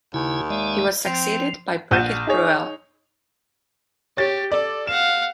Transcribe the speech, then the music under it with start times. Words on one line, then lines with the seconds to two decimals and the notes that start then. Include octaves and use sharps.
He was succeeded by Birgit Breuel.
0.14 D#2 C#3 E4 G#5
0.50 G#3 D5 E5
1.07 F3 C4
1.91 A#1 F#5 G6 D#7 E7
2.27 D#4 G#4 C#5
4.17 G4 C#5 A6
4.52 A4 D5
4.87 F5 F#5 E7